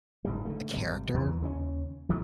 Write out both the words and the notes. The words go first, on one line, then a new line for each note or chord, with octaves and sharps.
the character
F#1 G#2 G3
D3 D#3 A3
G#1 C3 G3
E2 E3
D#2 C#3 G#3 C#4
B1 D#3 E3 A3